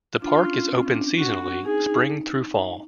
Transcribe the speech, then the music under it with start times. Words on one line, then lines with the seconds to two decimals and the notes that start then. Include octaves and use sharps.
The park is open seasonally, spring through fall.
0.22 D4 F4
0.46 C#4
0.70 C4
0.83 C#4
0.94 D4
1.18 F#4
1.65 D#4 G#4
1.89 D#4